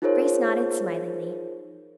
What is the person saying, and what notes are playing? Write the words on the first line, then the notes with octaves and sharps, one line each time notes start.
Grace nodded smilingly.
D#4 F4 G#4 A#4 C5 C#5